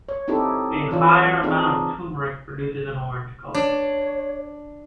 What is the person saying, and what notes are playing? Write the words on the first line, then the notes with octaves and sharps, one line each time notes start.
A higher amount of turmeric produces an orange color.
C#5
C4 D#4 E4 G4 A4
E3 D4 F4 C#5
C4 D4 D#4 G#4
D4 C#5